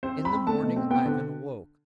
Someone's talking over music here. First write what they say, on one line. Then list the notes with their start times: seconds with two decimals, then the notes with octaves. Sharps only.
In the morning Ivan awoke.
0.03 C4 C5
0.18 C4
0.25 B5
0.33 C4
0.47 A3 A5
0.62 B2
0.76 C4
0.90 B3 G5
1.06 D3